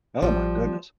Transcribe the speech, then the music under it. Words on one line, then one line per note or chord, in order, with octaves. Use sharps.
Oh, my goodness.
A1 F3 G3